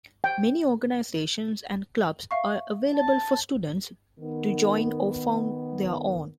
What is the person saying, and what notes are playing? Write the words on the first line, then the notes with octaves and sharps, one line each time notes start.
Many organizations and clubs are available for students to join or found their own.
G5
E5 F5 C#6
A5
D#3 B3